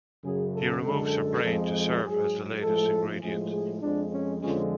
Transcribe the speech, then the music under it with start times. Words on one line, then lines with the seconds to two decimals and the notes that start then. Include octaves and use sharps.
He removes her brain to serve as the latest ingredient.
0.23 F#2 C#3 F#3 G#4
0.54 A4
0.84 F#2 D3 G#3 A4
1.43 F2 F3 G#3
2.03 G#2 F#3 G#4
2.63 A2 F3 G#3 A4
3.21 A2 F3 G#3 G#4
3.51 G#4
3.81 F2 F3 G#3 D4
4.12 C#4
4.40 F2 D3 F3 G#3 C#4